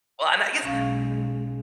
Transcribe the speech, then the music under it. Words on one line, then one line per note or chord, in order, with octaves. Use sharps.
Well and I guess
B1 G#3 C#4 F5